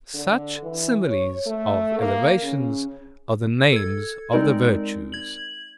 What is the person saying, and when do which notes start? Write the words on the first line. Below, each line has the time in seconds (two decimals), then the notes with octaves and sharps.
Such similes of elevations are the names of the virtues.
0.14 D3
0.64 E3
1.07 C#5
1.46 A3
1.99 A#3
2.43 C#3
3.73 A4 G#6
4.32 G#3 C4 D#4 A#4 D5
5.12 G#6 F#7